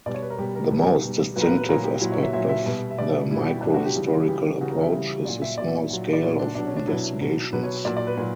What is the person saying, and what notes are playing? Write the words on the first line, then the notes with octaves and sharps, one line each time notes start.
The most distinctive aspect of the microhistorical approach is the small scale of investigations.
B2 G3 D5
C#5
B4
A#4
B2 G3 G4
A#4
B2 G3
B2 G3
A#2 F#3 B4
A#4
B4
B4
A#2 F#3 A#4
G4
A#2 F#3 E4
C#5
E5
A#2 F#3 E5
E5
B2 G3
E5
B2 G3 D5
B2 G3 E4 F#4
G4
E4
B2 G3 D4
F#4
G4
C#3 E3 G3
F#4
E4
C#3 E3 G3 G4
C#3 E3 G3 F#4
A#4
E5
C#3 E3 G3
A#2 F#3 D5
E5
A#2 F#3 D5
E5
D5
A#2 F#3
D5
A#2 F#3 C#5
D4
B2 F#3 D4
C#4
D4
B2 F#3 E4
B2 F#3
B2 F#3 B4
C#5
A#2 F#3 D5
D5
B4
A#2 F#3